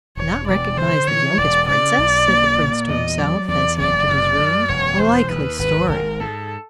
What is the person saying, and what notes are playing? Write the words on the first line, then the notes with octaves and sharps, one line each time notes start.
Not recognise the youngest princess!' said the Prince to himself, as he entered his room, 'a likely story!'
E1 C#5
E1 D5
D3 C5
E3 C#5
E1 D5
C#3 D5
B1
A#3
A#2
E2 D#5
F#3 D5
E2 D5
F#1 D5
F#2
F#2
E1 C#5
D#2 C5
D#2 B4
G#1 B4
G#1 A#4
G#2 A4